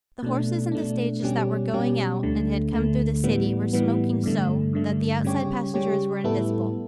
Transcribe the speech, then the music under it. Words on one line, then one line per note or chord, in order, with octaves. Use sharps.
The horses in the stages that were going out, and had come through the city, were smoking so, that the outside passengers were invisible.
B2 A3 D4
B2 A3 D4
B2 G3 C#4 G4
B2 G3 C#4 G4
D2 D3 A3
D2 D3 A3
A2 E3 G3 B3
A2 E3 G3 B3
G2 D3 A3
G2 D3 A3
C#3 G3 C#4 G4 C#5
C#3 G3 C#4 G4 C#5
A2 G3 B3 E4 A4